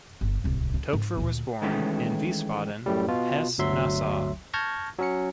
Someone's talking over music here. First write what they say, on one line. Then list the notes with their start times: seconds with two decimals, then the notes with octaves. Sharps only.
Toepfer was born in Wiesbaden, Hesse-Nassau.
0.21 G1
0.44 D1 C2
0.74 D4
0.93 G#2
1.17 D2 A#2
1.62 D#3 E3 G#3 A3 B3 C#4
2.86 F#2 A2 G3
3.08 B2 F4
3.58 G1 D2 F#3 E5 C6
4.54 A5 C#6 F6 G6 G#6 A#6
4.98 F#3 C#4 C#7